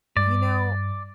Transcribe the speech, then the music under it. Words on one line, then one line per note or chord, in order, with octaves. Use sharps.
You know
G2 D5